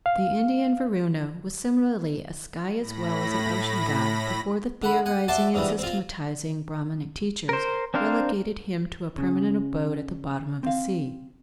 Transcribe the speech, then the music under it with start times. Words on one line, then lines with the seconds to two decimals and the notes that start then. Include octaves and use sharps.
The Indian Varuna was similarly a sky as well as an ocean god before the theorizing and systematizing Brahmanic teachers relegated him to a permanent abode at the bottom of the sea.
0.06 F5
2.80 A2 B5 A#6
4.82 D3 F#5 B5
5.06 F#5 G#5
5.28 F#4 D5 E5 A5 C6
5.54 G#2 D3 E3 G3
5.79 C4 F4
7.49 A#4 C5
7.94 C4 D4 A#4 C5 F5
9.18 C#3
10.63 C4 F5